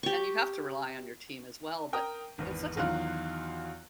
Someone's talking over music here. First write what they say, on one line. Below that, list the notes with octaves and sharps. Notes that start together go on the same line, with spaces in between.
And you have to rely on your team as well. But, in such a
G4 C#6
A#4 G5 A#5 D#6
G#1 E2 B3
E2 D#3 F#3 F4 F5 F#6